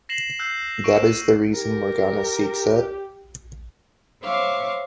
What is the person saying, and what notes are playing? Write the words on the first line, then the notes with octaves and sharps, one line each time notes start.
That is the reason Morgana seeks it.
A#6 C7 E7 F#7
E6 F#6 G6 C7
C#6 D7 E7
G4 A#4
C5 C#5 E5 F5 C#6 D6